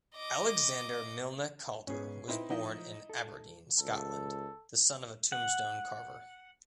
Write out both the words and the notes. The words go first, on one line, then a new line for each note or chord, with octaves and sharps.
Alexander Milne Calder was born in Aberdeen, Scotland, the son of a tombstone carver.
D#5 D6
G#2 B3 C#4 G#4
C4 D#4 E4 B4
F3 D#4 E4 D#5
A4
C#2 A4
F#5